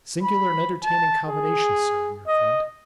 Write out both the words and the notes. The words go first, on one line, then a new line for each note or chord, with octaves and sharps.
'Singular and entertaining combination, sir, your friend.'
B5
A5
G#4
D#5